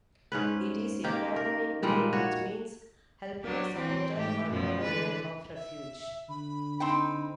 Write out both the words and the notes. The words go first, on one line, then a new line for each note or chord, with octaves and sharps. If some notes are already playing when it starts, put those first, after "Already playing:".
It is a Quranic name which means: helper, supporter, or provider of refuge.
G#2 C#4 B4
D#3 A#3 G4
A#4
A#2 G3 G#3 A#3
F#4 C#5
F#3 D4 G4
E3 C4
G#2 A3 G4
F#2 B2 F3
D3 E3 B4
E5
D3 B5
C4 D#4 G5